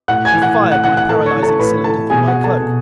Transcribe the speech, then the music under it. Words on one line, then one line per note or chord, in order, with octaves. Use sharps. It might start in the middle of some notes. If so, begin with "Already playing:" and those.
I fired my paralyzing cylinder through my cloak.
A2 F#5 F#6
G#5 G#6
E3
F#5 F#6
A2
F#5 F#6
E3 F#5 F#6
F#5 F#6
A2 A4 A5
C#5 C#6
E3
A4 A5
A2 B4 B5
E3 A4 A5
B2 G#4 G#5
F#4 F#5
A4 A5
B2